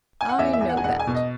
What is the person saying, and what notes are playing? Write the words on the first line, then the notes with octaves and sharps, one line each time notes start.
I know that.
G#5
F#5
E2 E5
E5
E2
F#5
G#5
E1 F#5
G#5
B2
D#5